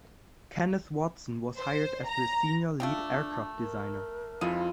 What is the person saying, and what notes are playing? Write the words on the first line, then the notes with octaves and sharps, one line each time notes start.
Kenneth Watson was hired as the senior lead aircraft designer.
C5
A#5
A3 D4 F4 G5
A#4
F2 F3 G#3 E4 F4 D#7